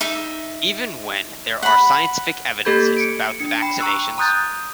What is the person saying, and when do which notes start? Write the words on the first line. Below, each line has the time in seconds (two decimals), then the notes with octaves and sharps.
Even when there are scientific evidences about the vaccinations.
0.01 D#4 E5
1.63 F#5 B5
2.65 A#3 G4 A4 B5 G6 G#6
2.97 C#7 D7
3.40 D4 C#7
3.62 G5 B5
3.79 A#5 C#6 E6 F#6
4.18 A#5 C6 D#6 F#6 G6 A6